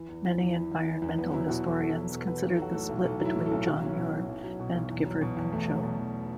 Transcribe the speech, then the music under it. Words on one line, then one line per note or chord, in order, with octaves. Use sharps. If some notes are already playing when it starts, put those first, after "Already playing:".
Many environmental historians consider the split between John Muir and Gifford Pinchot.
Already playing: E3
E2
E3
E2
E3
E2
E3
E2
E2 B3
F#3 E4
B2 F#4
E2 A4
E2 A4
F#3 F#4
B2 A4
E2 B4
B1 B4
A4
F#3 F#4
A2 A4
B1
B1 A4
F#3
E4
A2
A4
B1
B1 F#4
E4
F#3 C#4
B2 E4
B1
B1
F#3
B2
B1
E2
F#3
B2
E2
E2 A3
F#3
B2
E2